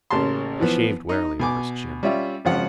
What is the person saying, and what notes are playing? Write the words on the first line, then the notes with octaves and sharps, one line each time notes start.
He shaved warily over his chin.
A1 C#3 A#3 A5 C6
E3 F3 B3
D#4
B2 G#5 D6
G3 C#4 F4 E5
G#1 C#3 F3 F4 F#5